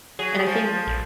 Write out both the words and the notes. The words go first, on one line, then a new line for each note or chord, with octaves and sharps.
and I think
F#3 G#4
F3
A#1